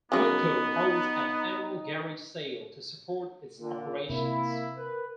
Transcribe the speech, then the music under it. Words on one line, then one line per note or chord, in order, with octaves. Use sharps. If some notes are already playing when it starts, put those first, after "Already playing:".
PoeCo holds an annual garage sale to support its operations.
C#3 F#3 B3 D#4
A#2 D3
C3 A#3 E4
A#4 B4